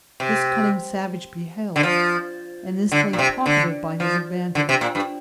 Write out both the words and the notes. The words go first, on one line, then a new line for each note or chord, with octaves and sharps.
This cunning savage beheld, and instantly profited by his advantage.
C3
D3
F3
D3
A#2
C3
D3
F3
D3
C3
A#2
G2